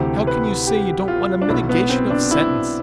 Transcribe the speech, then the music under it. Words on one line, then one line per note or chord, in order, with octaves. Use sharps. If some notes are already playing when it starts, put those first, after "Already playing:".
How can you say you don't want a mitigation of sentence?
Already playing: D2 C3 E3 G4
B4
G4
F4
D4
B1 B2 E4
B3
C4
D4
E4